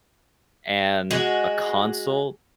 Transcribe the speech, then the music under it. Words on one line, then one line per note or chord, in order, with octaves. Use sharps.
and a console,
G#3 F#4